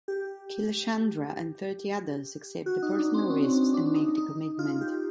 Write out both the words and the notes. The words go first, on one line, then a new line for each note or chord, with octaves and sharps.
Killashandra and thirty others accept the personal risks and make the commitment.
G4
F#4
D#4
D4
C4
C#4
C4
D4
D#4
D#4
F4
G4